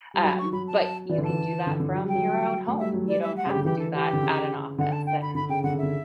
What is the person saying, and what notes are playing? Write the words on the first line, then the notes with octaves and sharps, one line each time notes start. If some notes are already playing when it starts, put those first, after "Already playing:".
um, but you can do that from your own home. You don't have to do that at an office and
G3
F#3 B5
C#6
F#3 B5
A5
E3 D5
D3
E3 A5
D3
D3
F#3
G3 G5
F#3
A3
G3 E5
F#3
G3 D5
E5
F#5
C#3 G4
D3
E3 G4
A4
G4
D3
C#3
D3 F#5
A5
G5
B5
D3 B5
C#3 G5
D3 F#5
C#3
D3 E5